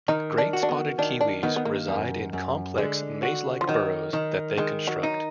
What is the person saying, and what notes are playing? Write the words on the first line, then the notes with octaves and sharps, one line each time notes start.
Great spotted kiwis reside in complex, maze-like burrows that they construct.
D#3 D#4
D4
F#4
D4
B3
D#3 D4
D4
D#3 B3
B3
A#3
F#2
F#2
D3 G#3
F#4
F3
D#3 F#3
D#3
D#3 G#3
F#3
D#4